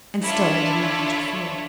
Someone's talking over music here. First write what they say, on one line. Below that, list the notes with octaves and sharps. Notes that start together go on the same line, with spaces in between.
And still I did not interfere.
D4 E4 F4 A4 C#5 E5